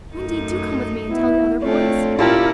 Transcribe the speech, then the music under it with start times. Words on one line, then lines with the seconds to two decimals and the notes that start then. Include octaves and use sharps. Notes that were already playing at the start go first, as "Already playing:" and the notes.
"Wendy, do come with me and tell the other boys."
0.14 F#2 A3 D#4
1.11 B3 E4
1.62 F2 A3 C4 D4 F4 C#5
2.19 A#2 C#4 E4 F4 G4 A#4 D5 A5